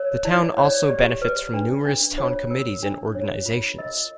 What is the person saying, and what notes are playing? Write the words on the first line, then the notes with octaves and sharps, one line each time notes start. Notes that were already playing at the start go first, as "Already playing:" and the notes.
The town also benefits from numerous town committees and organizations.
Already playing: A#4 C#5
E4 D5
C#5
D5
G4 D5
B4
D4
D4
F4 C#5
A#4
D4
C#5
F4
A#4 D#5